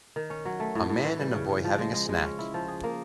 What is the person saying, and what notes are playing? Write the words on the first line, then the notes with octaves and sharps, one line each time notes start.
A man and a boy having a snack.
D#3
C#4
F#3
A3
A2
A2
E3
G3
C#3
C#3
F3
G#3
G#3
G#3
C#4
E4
F3
G#4
A#3